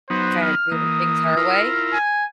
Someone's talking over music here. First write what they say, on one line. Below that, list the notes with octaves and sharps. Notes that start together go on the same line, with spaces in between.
kinda do h things her way?
F#3 B3 D#4 C5
F6
E3 A#3 D#6
E4 F4 A#4
G#5